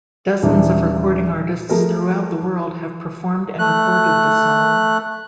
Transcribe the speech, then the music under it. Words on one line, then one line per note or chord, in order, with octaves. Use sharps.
Dozens of recording artists throughout the world have performed and recorded the song.
D#1 E3 D4
F3 A3 G#4 A#4
A3 F#6